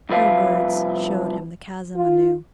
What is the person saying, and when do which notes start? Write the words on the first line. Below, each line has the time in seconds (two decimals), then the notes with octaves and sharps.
Her words showed him the chasm anew.
0.09 C2 F3 B4 E5 F5
1.96 F4